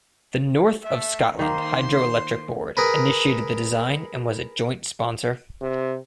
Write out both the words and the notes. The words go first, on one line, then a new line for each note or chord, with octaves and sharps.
The North of Scotland Hydro-Electric Board initiated the design and was a joint sponsor.
A3 E5
D#3 A#3 C5 C6
G#4 A#4 B4
C3